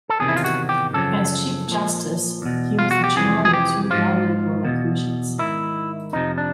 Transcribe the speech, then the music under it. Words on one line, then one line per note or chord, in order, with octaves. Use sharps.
As Chief Justice, he was the chairman of two well known Royal Commissions.
A4
E2 C3 D#3 G#4
E4
F4
F#4
G4
F#2 C#3 F3 A4
A#2 F3
E2 B2
F4
F#4
G4
F2 C3 E3 G#4
G#4
G4
G#2 F3 F4
E2 B2
G#2 D#3 E4
F2 C3 F3 D#4
D4